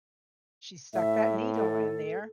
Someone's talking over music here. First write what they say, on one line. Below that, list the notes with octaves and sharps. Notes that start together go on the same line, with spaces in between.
she stuck that needle in there.
A2 E5
A4